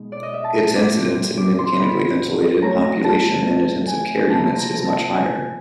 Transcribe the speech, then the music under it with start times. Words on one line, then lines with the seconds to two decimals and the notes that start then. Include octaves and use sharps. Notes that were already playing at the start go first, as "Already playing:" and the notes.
Its incidence in the mechanically ventilated population in intensive care units is much higher.
Already playing: B2 G#3 D#4
0.12 D5
0.23 D#5
0.34 E5
0.44 A5
0.55 A#5
0.75 D6
0.96 A#2 G3 C4
1.37 D6
1.59 C6
1.80 B5
2.62 F#3 A3 C#4 A#5
3.04 A5
3.87 G#5
4.29 C3 F3 A#3 A5
4.38 A#5
4.48 A5
4.58 A#5
4.66 A5
4.76 A#5
4.86 A5
5.13 G#5